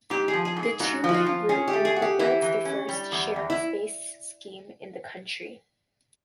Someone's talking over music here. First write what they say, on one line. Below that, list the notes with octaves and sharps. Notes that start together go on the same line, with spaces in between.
The two-way route incorporates the first shared space scheme in the country.
G#2 G4
G#4
F3
G#4
G#2
G#4
G#2 F#4
F3
F#4
F4
F3
C#4 G#4
G4
A3
G#4
F#4
G4
E3 E4
E3
C#4
G3
E2
E2
E4